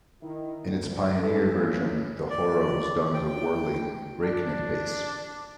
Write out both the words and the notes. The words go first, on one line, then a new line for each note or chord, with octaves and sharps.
In its pioneer version, the hora was done at a whirling, breakneck pace.
D#3 E4
D2
E3 A4
E3 A#3 C#4 E4
D5
G5
D4